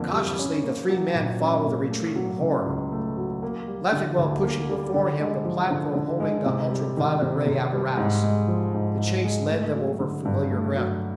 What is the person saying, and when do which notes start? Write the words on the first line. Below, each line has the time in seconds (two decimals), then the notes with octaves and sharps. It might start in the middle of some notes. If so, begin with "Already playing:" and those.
Cautiously the three men followed the retreating horror, Leffingwell pushing before him the platform holding the ultra-violet ray apparatus. The chase led them over familiar ground.
Already playing: F2 D3 A#3
0.13 G3
0.39 C#4
0.64 A#3
0.90 F#3
1.15 A#2
1.40 C#4
1.65 A#3
1.90 A3
2.16 F#3
2.40 C#3
2.66 C#2
2.92 A3
3.17 F#3
3.43 A#3
3.67 G3
3.92 D3
4.18 D2
4.43 A#3
4.69 G3
4.94 D3
5.20 G#3
5.45 F3
5.71 D3
5.95 D3
6.20 G#3
6.46 C3
6.71 G3
6.97 D#3
7.22 C3
7.47 C3
7.73 G3
7.97 G#2
8.23 G#3
8.48 F3
8.74 G#2
8.98 G#2
9.24 G#3
9.49 A3
9.75 F#3
10.00 D3
10.25 G2
10.51 A3
10.76 F#3